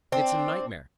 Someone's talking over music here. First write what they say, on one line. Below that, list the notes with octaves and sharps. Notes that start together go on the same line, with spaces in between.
It's a nightmare!
C4 D4